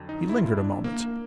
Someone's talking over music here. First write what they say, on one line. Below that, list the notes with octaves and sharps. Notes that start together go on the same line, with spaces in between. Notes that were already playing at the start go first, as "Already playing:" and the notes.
He lingered a moment.
Already playing: F2 D3 F#3
D#4
E4
F4
E4
D4
A#3